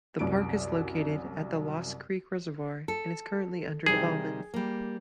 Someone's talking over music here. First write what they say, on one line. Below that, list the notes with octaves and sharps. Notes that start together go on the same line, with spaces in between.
The park is located at the Lost Creek Reservoir and is currently under development.
C2 F#2 D7
A4
C3 D#3 G3 G#4
G3 A#3